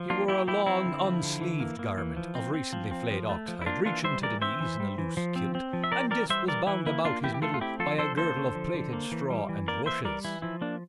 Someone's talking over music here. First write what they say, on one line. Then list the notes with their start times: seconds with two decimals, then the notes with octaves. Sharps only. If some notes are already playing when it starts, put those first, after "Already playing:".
He wore a long unsleeved garment of recently flayed oxhide reaching to the knees in a loose kilt and this was bound about his middle by a girdle of plaited straw and rushes.
Already playing: F3
0.10 A#3 D4 F4
0.28 A#3 E4 G4
0.48 F3 E4 G4
0.66 C4 E4
0.86 D3
1.04 F3
1.23 D3
1.41 E3
1.60 A#3
1.79 A#3
1.98 E3
2.17 F3
2.35 C4
2.54 C4
2.73 F3
2.91 C4
3.11 F3
3.29 A3
3.48 F3
3.61 E4
3.66 A#3 D4 F4
3.85 E3 D4 F4
4.04 G3 C5 E5
4.23 E3 A#4 D5
4.42 C4 C5 E5
4.60 E3
4.80 G3
4.98 E3
5.17 F3
5.36 C4
5.55 C4
5.73 F3
5.84 E5
5.92 C4 A#4 D5
6.11 E3 A#4 D5
6.29 G3 C5 E5
6.48 E3 A#4 D5
6.67 E3 E4
6.86 A#3 E4
7.05 A#3 D4 F4
7.24 E3 E4 G4
7.34 G4
7.42 A3 F4 A4
7.54 F4
7.61 C4 E4 G4
7.80 F3 F4 A4
7.98 D3 A4 C5
8.17 A#3 A4 C5
8.37 D3
8.55 F3
8.74 D3
8.93 A#3
9.12 E3
9.30 G3
9.49 E3
9.68 A#3 A#4 D5
9.86 E3 C5 E5
10.05 G3 A#4 D5
10.24 E3 E4
10.42 F3 E4
10.61 A#3 D4